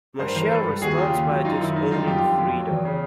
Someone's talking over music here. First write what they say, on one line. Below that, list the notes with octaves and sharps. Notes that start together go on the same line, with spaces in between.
Michael responds by disowning Fredo.
G2 A#4 C5
E3 A#4 C5
G2 A4 B4
G3
D#2 F#4 G#4
C#3 F4 G4
D#2
F#3
F#2 D#4 F4
D#3 E4
F#2 D#4
G3 D#4 F4
F2 F4 G4
D3
F2
F#3
E2
C#3